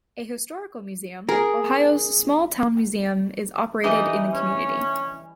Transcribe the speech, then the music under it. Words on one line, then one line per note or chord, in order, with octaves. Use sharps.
A historical museum, Ohio's Small Town Museum, is operated in the community.
G#4 A#4
E3 G3 D4 D#4 D#5 E5
C#4